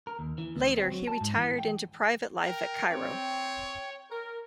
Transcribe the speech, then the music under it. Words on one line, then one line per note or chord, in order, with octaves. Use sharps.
Later, he retired into private life at Cairo.
A#4
D#2
E3
D2
C4
F#3
A5
G#2
E3
G5
A#4 G5
C4 C#5
A#4